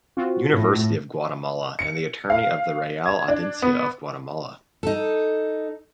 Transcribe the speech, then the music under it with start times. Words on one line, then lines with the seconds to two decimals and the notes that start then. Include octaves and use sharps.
University of Guatemala and the Attorney of the Real Audiencia of Guatemala.
0.17 C4 F4 F#4
0.54 A2
1.79 C#7
2.30 F5
3.06 G#6
3.28 D4
3.62 B3
4.83 D#4 A4